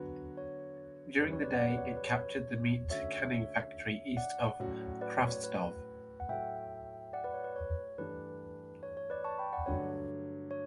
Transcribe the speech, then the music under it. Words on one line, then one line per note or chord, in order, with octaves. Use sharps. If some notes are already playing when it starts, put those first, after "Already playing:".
During the day it captured the meat canning factory east of Kravtsov.
Already playing: D3 F#3 B3 F#4 B4
C#5
F#2 C#3 G3 B4
C#5
B4 D5
D5 F#5
B4 D5
C#5
B4
C#5
D3 A3 C#4 F#4 C#5 E5
D5 F#5
A2 F#3 C#4 F#4
B4 D5
C#5
B4
F#5
A2 F#3 A3 E5 G5
D5 F#5
B4 D5
C#5
B4
C#5
G2 E3 A3 D4 G4 B4
C#5
C#5
B4 D5
A5 C#6
G5 B5
D5 F#5
G2 D3 F#3 A3 C#5
C#5